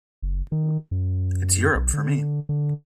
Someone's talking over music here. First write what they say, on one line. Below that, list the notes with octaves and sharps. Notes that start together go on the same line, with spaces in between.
It's Europe for me.
F#1
D#3
F#2
B1
D3
D3